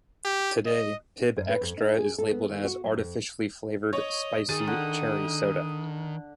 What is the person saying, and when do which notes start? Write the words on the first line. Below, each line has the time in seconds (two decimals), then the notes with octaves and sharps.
Today Pibb Xtra is labeled as "artificially flavored spicy cherry soda".
0.24 G4
0.66 D#5
1.37 F#2
1.49 B4
1.61 F2
1.78 D#4
1.98 G#4
2.18 A4
2.31 B3
2.49 D#3
2.65 F#4
2.84 F#3
2.96 F2
3.93 C#5 D#5
4.49 D#3 G#4 D#6 A6 D#7
4.67 D3